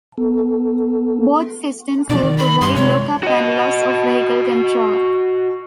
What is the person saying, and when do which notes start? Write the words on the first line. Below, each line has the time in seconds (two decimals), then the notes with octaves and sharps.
Both systems help avoid lock-up and loss of vehicle control.
0.18 B3 A4
2.09 B2 F3 D5
2.23 D#3
2.38 B5
2.61 G2 C6
2.76 C3 G#3 C#5
3.23 F#4 D#5